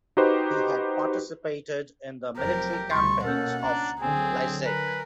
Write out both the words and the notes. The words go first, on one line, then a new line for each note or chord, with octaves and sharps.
He had participated in the military campaigns of Leszek.
D#4 F#4 G4 B4 C5
F1 F2 F#3 G4 A#4 C5
D2 C3 G3 C6 C#6 A6
B2 A#3 C#4 A4 A#4 F#5 F6 G6
C#2 D4 A#5
D3 F#3 C4 G#4 G#5
A#4 B4